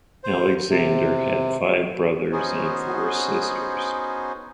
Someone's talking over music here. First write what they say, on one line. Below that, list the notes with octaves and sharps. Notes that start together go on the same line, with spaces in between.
Alexander had five brothers and four sisters.
C5
C3
B3 C#4 D#4 F#4 G#4 C5